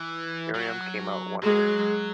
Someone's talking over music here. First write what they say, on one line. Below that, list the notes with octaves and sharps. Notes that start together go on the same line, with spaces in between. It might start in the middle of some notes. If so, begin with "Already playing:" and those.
Miriam came out wondering.
Already playing: E3
F#3
F#3 G#3